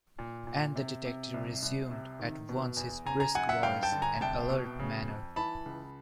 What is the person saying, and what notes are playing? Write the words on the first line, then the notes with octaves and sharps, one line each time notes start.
And the detective resumed at once his brisk voice and alert manner.
A#2
A#2
C3
C3
C2
C2
C3
D#3
B2
E2
C#3 G#5 A#5
G#5 A#5
F#2 F#5 G#5
E5 F#5
G2 F5 G5
G5 A5
D3
G#5 A#5
C2 G5 A5
B2
C#3
F2
E3 A5 B5
C#2